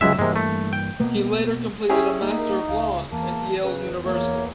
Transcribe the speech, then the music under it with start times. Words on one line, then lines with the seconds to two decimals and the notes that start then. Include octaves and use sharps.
He later completed a Master of Laws at Yale University.
0.01 F#1 C#2 F#2 F#3 G#3 E5
0.19 G2 C3 E3 G#3 A#3
0.36 A3
0.73 G5
1.00 B2 A#3 B3
1.89 C#4 E4 G4 G#4
2.22 A#3 D#4
2.69 C#2 F5
3.12 E2 A#3 A5
3.63 E2 C#3 B4
4.06 A#3 C#5